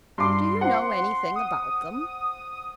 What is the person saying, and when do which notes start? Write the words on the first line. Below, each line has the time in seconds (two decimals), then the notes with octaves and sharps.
Do you know anything about them?'
0.18 G2 C6 D6
0.61 C4 F4 F#5
1.36 D#6